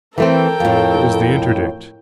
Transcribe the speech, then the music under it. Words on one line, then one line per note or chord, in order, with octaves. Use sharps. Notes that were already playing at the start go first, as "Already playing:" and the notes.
It was the INTERDICT!
E3 A3 C4 A4 A#4 G5
F2 A2